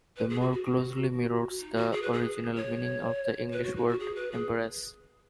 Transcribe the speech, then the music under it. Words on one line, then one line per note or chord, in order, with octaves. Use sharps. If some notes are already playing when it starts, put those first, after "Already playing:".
This more closely mirrors the original meaning of the English word "embarrass".
B4
G#4
F#4
F#4
D#4
F#4
G#4
B4
G#4
C#5
B4
F#4
D#4
F#4
G#4
B4
G#4